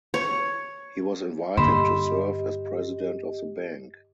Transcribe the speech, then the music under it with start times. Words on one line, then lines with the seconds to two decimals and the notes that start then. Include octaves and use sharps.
He was invited to serve as president of the bank.
0.14 C#5
1.57 G2 D3 A#3 G4 D#5 B5 C6 E6